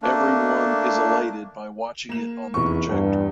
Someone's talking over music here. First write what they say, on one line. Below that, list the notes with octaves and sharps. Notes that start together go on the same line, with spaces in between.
Everyone is elated by watching it on the projector.
A3 A#3 D4
A#3 E7
F1 E2 C#6
E2 G2